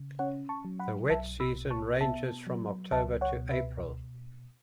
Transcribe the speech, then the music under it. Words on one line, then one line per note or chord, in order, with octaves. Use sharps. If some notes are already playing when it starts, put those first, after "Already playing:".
The wet season ranges from October to April.
Already playing: C#3
C#4 C#5 F#5
A5 C#6
F#3
F#5 B5
B1 E5 A5
B5 E6
B2
A5 C#6
B3 E5 A5
F#3
C#2 E5 A5
C#5 F#5
B2
B4 E5